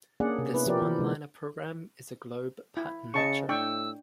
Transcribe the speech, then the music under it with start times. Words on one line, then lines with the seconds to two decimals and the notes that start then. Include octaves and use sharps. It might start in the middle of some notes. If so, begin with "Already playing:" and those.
This one-liner program is a glob pattern matcher.
0.20 A#3 C#4 D4 G#4 D5 F#5
0.39 C3
0.54 B3 C#4 E4 B4
0.66 F3 G4 A#4 D5
0.82 E3
0.99 C3 G#3 D#4
2.77 E4
3.14 C#3 D#5 A5 C#6 C#7
3.49 A2 D4 G5 C#6 E6